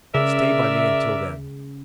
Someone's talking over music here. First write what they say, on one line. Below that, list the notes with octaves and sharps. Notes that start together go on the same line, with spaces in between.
Stay by me until then.
C#3 A#4 D5 E5